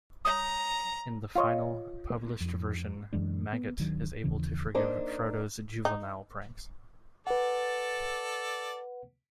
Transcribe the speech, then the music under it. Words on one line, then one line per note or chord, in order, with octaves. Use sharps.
In the final, published version, Maggot is able to forgive Frodo's juvenile pranks.
C#5 A#5 D#6
F4 C#5 D#5
F2
F#2 E3 G#3 D4
B3
D1 D#3 F#3 D4
D#2 C#3 E3
A#3 D4 D#4 C5
D#4
A4 B4 D5 F#5